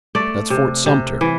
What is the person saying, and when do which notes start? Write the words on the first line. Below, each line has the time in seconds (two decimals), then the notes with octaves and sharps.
That's Fort Sumter.
0.15 A3 D5
0.50 C3
0.86 C3
1.21 E3